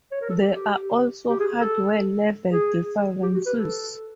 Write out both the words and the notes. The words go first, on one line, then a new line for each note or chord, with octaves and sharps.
There are also hardware-level differences.
C#5
A#4
A4
G4
G4
G4
G#4
A4
G#4
G4
F#4
B4
A4